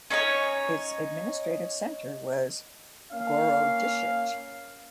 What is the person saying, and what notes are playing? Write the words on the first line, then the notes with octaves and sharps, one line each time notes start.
Its administrative centre was Gorodishche.
C#4 D#4 A4 C#5
A#3 C#4 F5